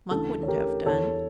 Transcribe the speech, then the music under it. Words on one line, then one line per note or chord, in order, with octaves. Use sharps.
Monk wouldn't have done.
D2 C#3 E3 A4
C#5
G4 A#4
E2 E3 A4 C#5